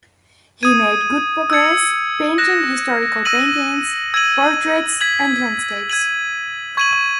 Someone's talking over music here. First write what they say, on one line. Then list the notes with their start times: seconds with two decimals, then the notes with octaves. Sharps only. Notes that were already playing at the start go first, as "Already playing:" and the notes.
He made good progress, painting historical paintings, portraits and landscapes.
0.63 D#6 G#6 D#7
1.50 E6 G#6 C#7
2.38 F#6 A#6 E7
3.25 E6 A#6 D#7 F#7
4.14 E6 G#6 D#7 F#7
5.01 G#6 B6 F#7
5.90 G#6 D#7 F#7
6.77 C#6 G#6 D#7 F#7